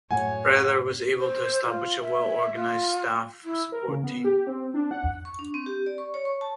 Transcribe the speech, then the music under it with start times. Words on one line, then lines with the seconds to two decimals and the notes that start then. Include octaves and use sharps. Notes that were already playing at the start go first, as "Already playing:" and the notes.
Berthier was able to establish a well-organized staff support team.
0.11 F#2 A2 C#5 F#5 G#5
1.19 C5
1.66 F4
2.01 E5
2.54 F4
3.44 E4
3.72 A#4
3.88 C#3
4.03 B3
4.24 G4
4.47 C4
4.74 D4
4.91 F#5
5.25 C#6
5.39 D4
5.54 C4
5.66 G4
5.86 D5
5.98 C#6
6.14 C#5
6.25 C#6
6.41 A5